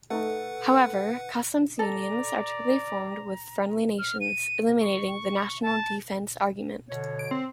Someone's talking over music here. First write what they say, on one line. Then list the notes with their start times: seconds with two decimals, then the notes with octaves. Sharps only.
However, customs unions are typically formed with friendly nations, eliminating the national defense argument.
0.10 A3 D#4 A4 B4 F#5
1.79 A4 D5 A#5
3.99 F6
4.21 D#7
4.81 C#6
5.62 A5
6.89 B2 D3 C#5
7.19 D7
7.31 C4